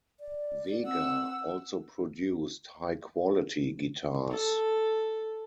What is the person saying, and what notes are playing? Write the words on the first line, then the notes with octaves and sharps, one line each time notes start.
Vega also produced high quality guitars.
D5
C4 F#5 E6
A4